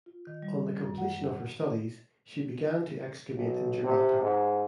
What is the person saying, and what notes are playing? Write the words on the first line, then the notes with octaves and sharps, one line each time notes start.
On the completion of her studies, she began to excavate in Gibraltar.
F4
D#3
G3
F#2
F#5
B1
C3
G#2